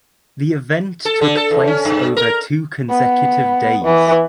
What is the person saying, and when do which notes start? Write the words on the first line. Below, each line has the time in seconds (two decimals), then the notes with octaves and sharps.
The event took place over two consecutive days.
1.05 A4
1.21 D3
1.37 A4
1.51 E2
1.67 C#4
1.85 G2
2.17 A#4
2.90 B3
3.85 E3